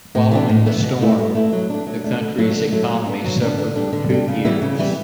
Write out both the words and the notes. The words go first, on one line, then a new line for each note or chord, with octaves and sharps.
Following the storm, the country's economy suffered for two years.
A2
E3 B3 D4
A2
E3 B3 D4
B2
A3 E4
B2
A3 E4
F#3
A3 D4
F#3
A3 D4
D3
F#3 A3 E4
D3
F#3 A3 E4
F#3
B3 D4
F#3
B3 D4
D3
G3 D4
D3
G3 D4
C#3
E3 G3 B3 E4
C#3
E3 G3 B3 E4